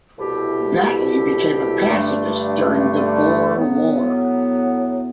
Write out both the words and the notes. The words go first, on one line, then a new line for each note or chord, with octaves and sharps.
Battley became a pacifist during the Boer War.
C2 B2 A3 E4 G4
G2 D3 A3 D4
A2 F#3 B3